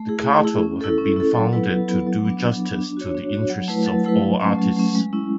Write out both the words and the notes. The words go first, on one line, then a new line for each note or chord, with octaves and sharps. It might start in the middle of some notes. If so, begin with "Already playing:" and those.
The Cartel had been founded to do justice to the interests of all artists.
Already playing: A3
E4 G#4
A3
E4 G#4
C#4
E4 A4
C#4
E4 A4
F#3
B3 E4 B4
F#3
B3 E4 B4
F#3
B3 D4
F#3
B3 D4
D4
F#4 C#5
D4
F#4 C#5
F#3
A3 E4 B4
F#3
A3 E4 B4
F#3
A3 C#4
F#3
A3 C#4
G#3
C#4 E4